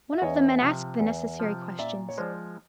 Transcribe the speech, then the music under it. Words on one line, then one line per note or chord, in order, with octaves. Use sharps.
One of the men asked the necessary questions.
E5
E2 C#5 D#5
C3 F3
E2
C3 F3
A#2 D5 E5
C#5
F3 G#3 C5 D5